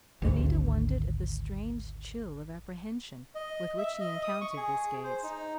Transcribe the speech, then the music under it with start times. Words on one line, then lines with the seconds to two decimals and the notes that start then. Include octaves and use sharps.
Alida wondered at the strange chill of apprehension with which she encountered this gaze.
0.22 G#1 D2
3.35 D#5
3.78 E5
4.00 D#5
4.23 D#6
4.41 C#6
4.57 G#4
5.04 C5
5.23 D#4